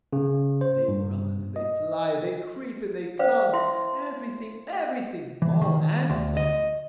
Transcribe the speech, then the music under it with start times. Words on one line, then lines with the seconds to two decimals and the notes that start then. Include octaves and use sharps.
They run and they fly, they creep and they come, Everything, everything, all and some.
0.13 C#3
0.61 C5
0.88 G2
1.56 D#5
3.19 C#4 B4 C5 D5 F5
3.53 E4 E5 C6
5.42 E3
5.62 D#3
6.09 D2
6.37 D#5